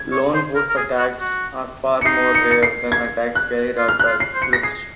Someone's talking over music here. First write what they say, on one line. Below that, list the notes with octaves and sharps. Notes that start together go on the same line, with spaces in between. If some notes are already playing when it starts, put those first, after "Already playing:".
Lone wolf attacks are far more rare than attacks carried out by groups.
Already playing: G#6
C#5
C5
A#4
A#4
G#4
F#4
F#4
C#7
D#4 C7
C#7
C#7
C7
G#6
F#6
F4
F6
F#6
F4
C7
C5
C#7
A#6
G#4 C7